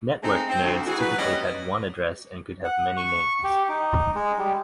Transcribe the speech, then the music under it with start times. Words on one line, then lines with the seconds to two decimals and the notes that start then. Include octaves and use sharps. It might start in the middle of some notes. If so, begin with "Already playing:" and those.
Network nodes typically had one address and could have many names.
0.22 G#3 A3 C4 D#4
0.48 C4
0.63 D2
0.86 E3 F#4 G#4
0.99 F#3 B4
1.17 D#2 G3 C#4 D5 D#5
2.65 F#5
2.97 C#6
3.44 G4
3.69 D#4
4.15 G#3
4.38 G3